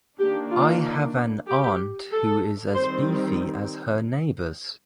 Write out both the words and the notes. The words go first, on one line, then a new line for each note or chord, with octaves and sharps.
I have an aunt who is as beefy as her neighbors.
D#3 A#3 D4 G4
F4
G4
A4
D#3 G3 C4 C5